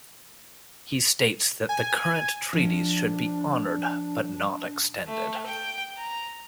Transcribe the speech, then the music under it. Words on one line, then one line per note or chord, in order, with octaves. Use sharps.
He states that current treaties should be honored but not extended.
G#5
F3 D4
A3
G5
A#5